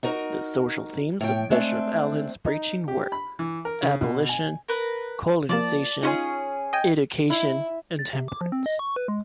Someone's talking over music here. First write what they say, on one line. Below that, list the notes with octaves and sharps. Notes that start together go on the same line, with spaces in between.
The social themes of Bishop Allen's preaching were abolition, colonization, education, and temperance.
D#4 F#4 A#4
A2 G5
G#3 A3 C4 D4
D#4
G4
B5
E3
A#4
C#3
B2
G#5
A#4 B4
F3 A#3 D5 A5
C#4 D#4 F4 G4 G#4 C#5
D#5 G5 G#5
E4
A6
C3
D6
F3
C4
D#5
C#6
B4
G#3